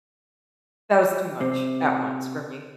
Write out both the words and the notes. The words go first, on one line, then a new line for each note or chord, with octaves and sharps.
That was too much at once for me.
C3